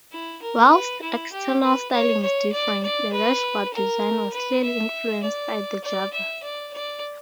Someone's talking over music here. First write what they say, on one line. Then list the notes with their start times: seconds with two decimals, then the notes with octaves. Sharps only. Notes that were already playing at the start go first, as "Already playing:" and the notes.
Whilst external styling is different, the dashboard design was clearly influenced by the Java.
0.12 E4
0.42 A#4
0.72 B4
1.02 E4
1.32 G4
1.62 B4
1.92 C#5
2.22 C#5
2.52 D5
2.82 D5
3.12 B4
3.73 A#4
4.33 B4
4.63 E5
5.23 D5
5.83 D5
6.13 E5
6.43 D5
6.73 D5